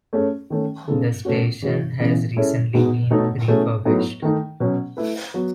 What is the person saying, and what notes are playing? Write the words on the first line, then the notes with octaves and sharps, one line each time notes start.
The station has recently been refurbished.
A3 C#4 G#4 C#5
D#3 A3 C#4
C#3 G#3 B3 D#4 A4
B2 A3 C#4 F#4
C#3 E3 G#3 C#4 F#4
C#3 E3 B3
G#3 C#4 E4 A4 C#5
B2 G#3 B3 D#4 F#4
B2 A3 D#4 A4 C#5
B2 A3 C#4 E4 G#4
A2 F#3 B3 D#4
D#3 A3 D#4
B2 F#3 C#4
A3 E4 B4
F#3 B3 F#4